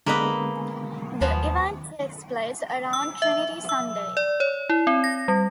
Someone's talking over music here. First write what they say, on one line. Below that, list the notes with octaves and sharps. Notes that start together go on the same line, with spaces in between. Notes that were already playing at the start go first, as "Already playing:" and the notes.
The event takes place around Trinity Sunday.
D3 G#3 A#3 B3 B4 D#5
D#2 F3 B3 G#5
E6
E5
E6
D5
C#5
E4
C4
A#6
G3